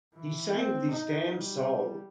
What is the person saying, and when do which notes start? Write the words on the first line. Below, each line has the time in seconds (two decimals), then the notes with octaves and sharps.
He sang with his damn soul.
0.14 E3
0.55 C4
0.91 D#4
1.35 G3